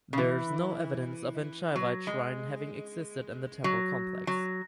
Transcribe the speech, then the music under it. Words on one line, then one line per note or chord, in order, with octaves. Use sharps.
There is no evidence of any Shaivite shrine having existed in the temple complex.
C#3
E3
F#3
G#3
F#3
F#3